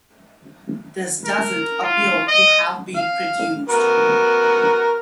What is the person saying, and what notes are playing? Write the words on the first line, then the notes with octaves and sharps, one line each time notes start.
This doesn't appear to have been produced.
A#4
F4
D#5
F5
B3 F#4 A#4